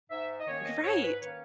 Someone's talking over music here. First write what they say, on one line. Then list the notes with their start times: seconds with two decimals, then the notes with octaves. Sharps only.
G F Right.
0.10 G#2 E5
0.40 D#5
0.47 D#3 A#3 C#4 C#5
0.66 D#5
0.84 G#2 C#5
1.02 B4
1.20 D#3 A#3 C#4 C#5